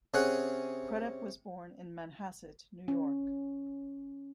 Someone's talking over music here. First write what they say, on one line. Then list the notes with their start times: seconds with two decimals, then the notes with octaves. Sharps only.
Crudup was born in Manhasset, New York.
0.14 C3 C#4 G#4 F#5
2.88 C#4